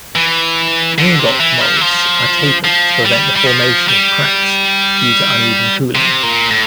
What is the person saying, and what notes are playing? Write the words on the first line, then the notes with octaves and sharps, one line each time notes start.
Ingot molds are tapered to prevent the formation of cracks due to uneven cooling.
E3
D3
C3
E3
F3
E3
F3
F3
G3
G3
F3
G3
C3
A#2
A2